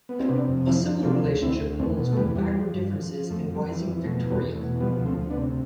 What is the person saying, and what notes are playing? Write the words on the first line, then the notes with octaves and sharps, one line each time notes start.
A similar relationship holds for the backward differences and rising factorial.
B3
C4
C3 B3 D4
F2
F3 C4 E4
F3
C3 D4 F4
D2
D2 C4 E4
D2
E2 A3 C4
B2
A3
E2 G3 B3
E2 G3
F3
G2
F3
F3
F2 A3
F2
G3
E3
G3
F2
B2 A3
E2
G3 B3
E2
A3
B2
F3 G3 B3
D2
A3 C4
D2
B3 D4
C3